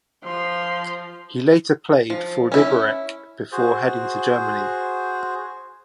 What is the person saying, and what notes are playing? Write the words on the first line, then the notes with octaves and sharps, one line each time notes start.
He later played for Liberec before heading to Germany.
F3 C6
F3
C#4 E4
F#4 G#4 C5